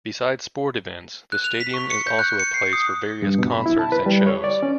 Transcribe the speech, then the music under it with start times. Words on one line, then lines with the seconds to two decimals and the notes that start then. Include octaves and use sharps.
Beside sport events, the stadium is also a place for various concerts and shows.
1.32 F#6
1.44 F7
1.61 B6
1.74 C#6
1.90 C#7
2.07 G6
2.19 F#6
2.40 C#7
2.54 C7
2.73 D#6
3.22 G2
3.38 B2
3.52 B5
3.66 E4
3.79 A5
3.92 B4
4.06 G3
4.27 C#5
4.44 D5
4.63 C#4